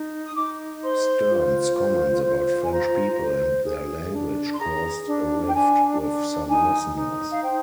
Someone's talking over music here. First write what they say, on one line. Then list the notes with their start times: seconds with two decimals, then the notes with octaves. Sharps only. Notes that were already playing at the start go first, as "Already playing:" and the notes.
Stern's comments about French people and their language caused a rift with some listeners.
Already playing: D#4
0.24 D#6
0.35 D#4 D6
0.82 C5 C6
1.29 F4
1.77 C5
2.23 F4
2.64 G#5
2.71 C5 A#5
3.19 C5
3.65 G#4
4.13 D4
4.54 C6
4.60 G#4 A#5
5.06 D4
5.46 G5
5.54 D4 G#5
6.01 D4
6.49 D#4 G#5
6.96 D#4
7.31 F5
7.43 C5 G5